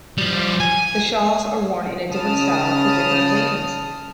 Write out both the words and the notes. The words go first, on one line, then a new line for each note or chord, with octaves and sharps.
The shawls are worn in a different style for different occasions.
F3 G3
G#5
C#3 A5 D#6 F6